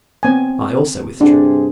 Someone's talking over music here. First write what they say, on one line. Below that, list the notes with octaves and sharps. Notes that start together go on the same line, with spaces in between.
I also withdrew.
B3 C4 G#5
G2 C3 D4 G#4